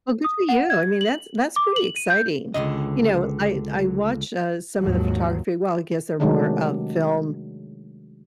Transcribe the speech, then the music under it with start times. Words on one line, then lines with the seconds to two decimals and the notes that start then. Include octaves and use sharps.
well, good for you, I mean, that's that's pretty exciting. You know, I I watch, uh, some of the photography well, I guess they're more of film
0.24 D#6
0.49 F#5
0.70 G#6
1.01 F#7
1.56 D6
1.76 F#7
1.96 D#7
2.10 G6
2.54 C#2 G2 D3 D#5
4.80 D#2 G#2 F3 F#3
6.20 C3 D#3 F#3 G#3 A3 D4